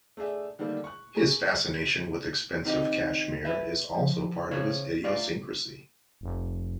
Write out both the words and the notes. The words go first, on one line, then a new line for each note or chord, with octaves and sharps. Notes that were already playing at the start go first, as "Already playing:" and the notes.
His fascination with expensive cashmere is also part of his idiosyncrasy.
A3 D4 G#4 E5
D3 D#3 G3 A3 A#3 D4
C#6 F#6
G#4 A#5 C#6
D#3 C4 D#4 G4
B4 E5
F3
C#3 C5 C#5
A3 F4 D5
F1